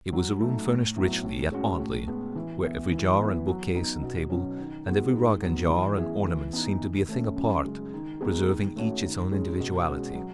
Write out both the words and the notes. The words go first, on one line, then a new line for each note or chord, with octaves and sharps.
It was a room furnished richly, yet oddly, where every jar and bookcase and table, and every rug and jar and ornament seemed to be a thing apart, preserving each its own individuality.
F#3
A3 D#4
A2
F#3 B3 E4
A2
G#3 C#4 F#4
A2
G#3 B3
E3
B3 E4
E3
B3 E4 B4
F#3
B3 D#4
B2
F#3 C#4
D#3
G#3 B3 F#4
G#2
F#3 B3
E3
B3 E4 G#4
E3
B3 D#4
D#3
A3 C#4
F#2
C#3 G#3
D#3
G#3 B3 D#4 G#4
D#3
A3 C#4 F#4 C#5
D#3
G#3 C#4
B2
G#3 C#4 F#4
F#3